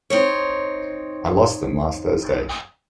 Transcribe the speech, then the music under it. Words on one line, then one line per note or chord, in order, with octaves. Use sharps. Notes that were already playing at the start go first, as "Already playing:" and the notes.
I lost them last Thursday.
C4 D#4 C#5